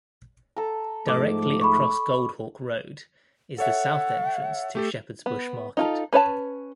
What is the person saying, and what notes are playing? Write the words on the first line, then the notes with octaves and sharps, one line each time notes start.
Directly across Goldhawk road is the south entrance to Shepherds Bush Market.
A4 A#5
G#2 F3 A3 D#5 D6
B5 C#6
A4 C#5 E5 F#5
A3 G4 A4
B3
D#4 F4 A4
C#4 B4 C#5 F5 A5